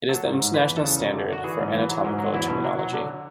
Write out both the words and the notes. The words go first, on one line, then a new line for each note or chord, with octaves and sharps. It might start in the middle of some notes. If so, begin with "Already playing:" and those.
It is the international standard for anatomical terminology.
F#3 A4
G#2
G#2
E3 B4
E2
A4
C#3
F#2
D3
D3 F#4
E3 G#4
G#2
E3
F#3
G#2
F#3
E2 E4
B2
F#3
F#3
D3